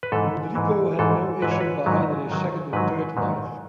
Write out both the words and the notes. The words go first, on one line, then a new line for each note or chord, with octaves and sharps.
Rodrigo had no issue by either his second or third wife.
B4
G#2 E3 A4
G#2 E3
G#2 E3 A4
G#2 E3 B4
C#5
B4
G#2 D#3 F#3
G#2 D#3 F#3
G#2 D#3 F#3 B4
G#2 D#3 F#3